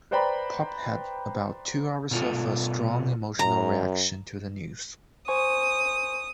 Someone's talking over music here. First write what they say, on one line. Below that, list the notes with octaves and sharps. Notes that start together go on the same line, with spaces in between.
Pop had "about two hours of a strong emotional reaction" to the news.
B4 C5 D5 G5 A#5 B5
B2 F4 A4
F#2 A#5
C5 G#5 C#6 D#6